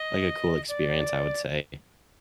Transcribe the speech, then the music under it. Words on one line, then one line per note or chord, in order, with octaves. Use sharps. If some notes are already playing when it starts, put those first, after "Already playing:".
like a cool experience, I would say.
Already playing: D#5
D5